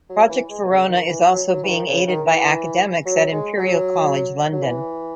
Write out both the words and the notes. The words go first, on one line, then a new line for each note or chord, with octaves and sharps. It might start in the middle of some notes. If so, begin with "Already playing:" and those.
Project Verona is also being aided by academics at Imperial College London.
F#3
E3
G#3
B2
C#3
D#3
E3
F#3
F#3
E3
D#3
C#3
D#3
E3
F#3
G#3
F#3
F#3
E3